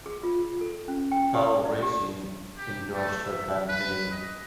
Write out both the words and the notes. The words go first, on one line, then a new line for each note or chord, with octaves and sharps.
Karl Racine endorsed her campaign.
G#4
F4
A4
C#4
G5
G4
D5
G4
G4
A3
E5
B4
D#5